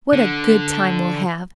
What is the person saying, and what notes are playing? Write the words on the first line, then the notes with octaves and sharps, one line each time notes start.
What a good time we'll have!
D3